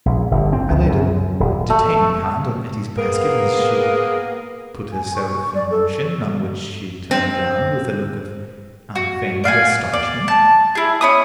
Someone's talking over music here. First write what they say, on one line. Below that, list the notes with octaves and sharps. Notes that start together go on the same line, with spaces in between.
I laid a detaining hand on Etty's basket as she put herself in motion, on which she turned round with a look of unfeigned astonishment.
A#1
G1
C4
C#2
F#2
D#1
A3
A#3 B3 G#4 A#4
G#5
C#6
C#6
D5
A4
C4
F#4
D5 F5 F#5 G#5
D5
A5
E4 G#4
C#4 E4 D#6